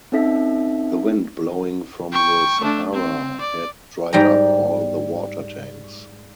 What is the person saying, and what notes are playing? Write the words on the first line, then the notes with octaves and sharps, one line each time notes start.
The wind blowing from the Sahara had dried up all the water-tanks.
C4 C#4 D#4 A4 E5 B6
G5 C#6
A3 D4
C4
D5
G#2 G3 G5 A#5